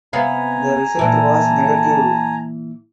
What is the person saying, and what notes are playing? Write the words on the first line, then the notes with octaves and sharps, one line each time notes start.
The result was negative.
C3 B3 F5 G#5 A#5
A#2 E3 A5